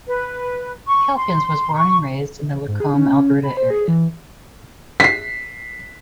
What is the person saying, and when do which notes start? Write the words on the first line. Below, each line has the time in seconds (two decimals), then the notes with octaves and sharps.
Calkins was born and raised in the Lacombe, Alberta area.
0.07 B4
0.87 C#6
1.16 C6
1.74 C#6
2.68 G#2
2.80 G#4
2.94 C#4
3.43 B5
3.57 C5
3.70 G#4
3.88 E3
5.00 B6 C7